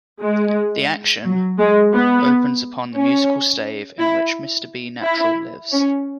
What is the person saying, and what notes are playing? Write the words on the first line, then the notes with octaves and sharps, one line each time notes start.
The action opens upon the musical stave in which Mr. B Natural lives.
G#3
F#3
G#3
B3
C#4
E4
E4
C#4